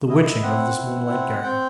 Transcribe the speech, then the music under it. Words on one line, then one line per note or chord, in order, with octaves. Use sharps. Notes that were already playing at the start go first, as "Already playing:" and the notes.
The witching of this moonlit garden!
E4 D#5
C4 F#5
E4
C4
C4 G5